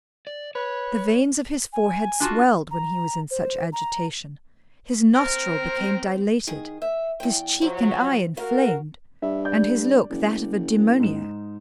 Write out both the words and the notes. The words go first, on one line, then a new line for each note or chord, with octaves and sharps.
The veins of his forehead swelled when he was in such agitation; his nostril became dilated; his cheek and eye inflamed; and hislook that of a demoniac.
D5
B4 C#5
G#5
D4 F4 F#4
A#5
C5
A#5
C4 A#4
D#3 G#4
E5
E2 G5
F3 F#3
F#4 A#4 F5
G2 E5
D5 G6
F#1
G#2 D#4 E7